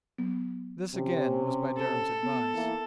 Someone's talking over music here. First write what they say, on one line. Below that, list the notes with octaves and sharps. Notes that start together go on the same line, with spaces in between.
This again was by Durham's advice.
F#3 B3
C3 C#4
A4
B3
E3 A#3 E4